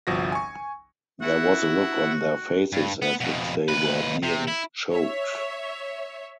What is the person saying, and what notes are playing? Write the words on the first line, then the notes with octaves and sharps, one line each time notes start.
There was a look on their faces as if they were being choked.
G1 C2 F3 F#4 A#6
G#5 C#6
E4 F#4 F#5
G2
B3
F2 B2
D#2 B4
C3
E4
C#5 E5